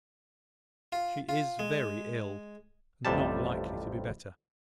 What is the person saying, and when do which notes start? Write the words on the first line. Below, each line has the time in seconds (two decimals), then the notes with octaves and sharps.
"She is very ill;--not likely to be better."
0.92 F4
1.29 F4
1.59 G#3
3.05 A1 F2 C3 G3 A5